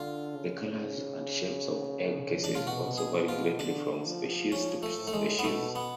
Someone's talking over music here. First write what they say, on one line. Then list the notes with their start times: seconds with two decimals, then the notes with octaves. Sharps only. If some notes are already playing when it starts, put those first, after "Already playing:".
The colours and shapes of egg cases also vary greatly from species to species.
Already playing: D3 F4
0.36 C#3
2.44 D4
2.55 F4
2.67 B2 F#4
2.98 G#4
3.13 B2
3.28 F4
3.59 D3 D4
4.06 F3
4.52 F3 C#4
4.83 A3
4.98 A2
5.07 A3
5.13 G#3
5.39 B3
5.44 B2 A3
5.76 B3